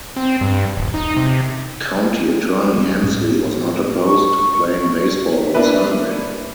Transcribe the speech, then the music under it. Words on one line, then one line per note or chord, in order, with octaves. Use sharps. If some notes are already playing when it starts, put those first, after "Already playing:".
County attorney Hensley was not opposed to playing baseball on Sunday.
C4
G2
D#1
D#4
C3
G3 C#4
A2
C#6
A#3 D4 E4 B4